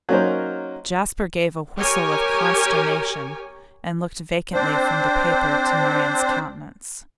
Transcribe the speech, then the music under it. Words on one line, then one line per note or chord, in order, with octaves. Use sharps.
Jasper gave a whistle of consternation, and looked vacantly from the paper to Marian's countenance.
F#3 A#3 C#4 D#4 A#4 C5
G4 A#4 C#5 G#5
C4 D4 C5